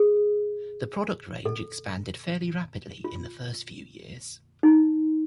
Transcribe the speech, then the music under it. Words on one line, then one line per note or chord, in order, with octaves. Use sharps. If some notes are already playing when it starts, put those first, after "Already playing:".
The product range expanded fairly rapidly in the first few years.
Already playing: G#4
A4
F4
D#4